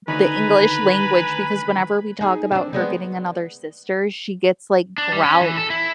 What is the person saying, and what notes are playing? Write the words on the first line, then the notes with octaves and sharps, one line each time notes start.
the English language because whenever we talk about her getting another sister, she gets, like, growly,
D2 D3 D#3 B4 G#5 A#5 B5
D#4 G#4
C4 D4
G3 G#3 B3
D4
G3
C#4
E3
A4
E4